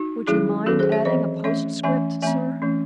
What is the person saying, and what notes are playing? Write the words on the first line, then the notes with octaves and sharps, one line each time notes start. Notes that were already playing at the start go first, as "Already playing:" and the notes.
"Would you mind adding a postscript, sir?"
Already playing: D#4 F#4
D#3 F#3 C#4 E4 G#4
D#3 F#3 C#4 F#4 A4
G#4 C5
C#5 E5
E3 C4 C5 D#5
E3 A3 C#4 C#5 E5
E3 A3 C#4 E5 G#5
E3 A3 C4 E5 G#5
E3 A3 C#4